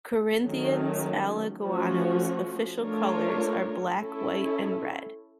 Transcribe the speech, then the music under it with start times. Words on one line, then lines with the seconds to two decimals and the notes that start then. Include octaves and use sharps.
Corinthians Alagoano's official colors are black, white and red.
0.45 D#3 F#3 A3 C#4
1.63 F3 A3 C#4 F#4
2.80 A3 D4 F4 A#4 C#5
3.98 C#4 E4 A4